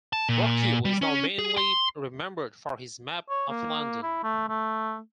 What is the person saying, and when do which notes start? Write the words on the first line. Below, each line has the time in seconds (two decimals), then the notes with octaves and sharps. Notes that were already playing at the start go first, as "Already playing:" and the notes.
Rocque is now mainly remembered for his Map of London.
0.13 A5
0.29 A#2
0.85 G3
1.02 C#4
1.39 G#4
1.57 C6
3.29 C#5
3.49 A#3
4.03 E4
4.24 A3
4.49 A3